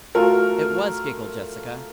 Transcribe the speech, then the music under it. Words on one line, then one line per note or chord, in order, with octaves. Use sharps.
"It was," giggled Jessica.
A3 F4 F#4 A4 A#4